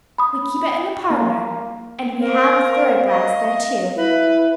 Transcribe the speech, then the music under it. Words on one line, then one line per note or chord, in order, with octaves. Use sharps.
We keep it in the parlor and we have the fairy glass there, too.
B5 D#6
A#3
C4 A#4 F5
D#5
E4 B4